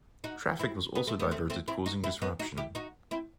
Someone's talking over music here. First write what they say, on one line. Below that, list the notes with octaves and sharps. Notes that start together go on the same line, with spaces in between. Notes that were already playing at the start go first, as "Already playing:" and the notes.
Traffic was also diverted causing disruption.
D#4 F#4
C4 E4
B3 D#4
A3 C4
G3 B3
A3 C4
A3 C4
C4 E4
D#4 F#4
C4 E4
B3 D#4
D#4 F#4
E4 G4
D#4 F#4
C4 E4